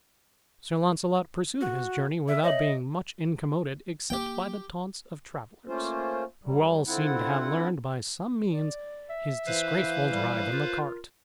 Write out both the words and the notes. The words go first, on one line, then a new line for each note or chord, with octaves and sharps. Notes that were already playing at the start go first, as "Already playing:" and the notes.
Sir Launcelot pursued his journey, without being much incommoded except by the taunts of travellers, who all seemed to have learned, by some means, his disgraceful drive in the cart.
F#4
E5
C#5 D#5 E5 F#7
A#3 G4 G5
A3 A#3 C#4 F4 C5
F#2 F#3 G3
D3 C4 E4 F4 F#5
D5
E5
E3 B4 C5 F5
G3
F4 A#4